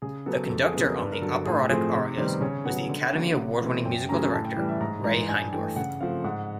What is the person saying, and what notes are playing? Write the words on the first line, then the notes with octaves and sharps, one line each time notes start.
The conductor on the operatic arias was the Academy Award-winning Musical Director Ray Heindorf.
C#3 G#4
F#3 B3 A4
F2 A4
G#4
C#3 F#3 B3
A#4
G2 B4
A#4
D3 F#3 A4
A2 G#4
F3 A3 C4 G#4
C3
D#3 G3 B3 C5
C#3 C#5
F#3 B3 F#5
D3
F#3 A#3 C#4
C3
E3 A3 C4
F#2 G5
C#3 F#3 A3 C#4 A#5
A2 A5
G5
E3 G3
E5
G#2 A#5
E3 G#3 A#5
G2 G#5
E3 A3 G5
C#3 F#5
F3 A3 C4 F5
G#2 F#5